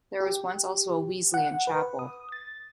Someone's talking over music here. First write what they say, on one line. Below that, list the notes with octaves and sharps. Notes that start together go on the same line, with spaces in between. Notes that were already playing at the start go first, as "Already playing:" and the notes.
There was once also a Wesleyan chapel.
G4
F#5
B4
D#6
A6